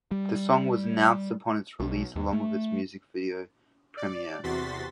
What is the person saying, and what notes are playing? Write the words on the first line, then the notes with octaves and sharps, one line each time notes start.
The song was announced upon its release along with its music video premiere.
G3
B1
D#2
A3
D5
E2 C3 F#4 C6 A6 B6